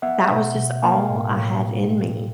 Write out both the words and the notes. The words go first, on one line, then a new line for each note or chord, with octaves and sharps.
that was just all I had in me,
B3 E5 F#5
B2
B2
A#3 F5 G5
A2
A2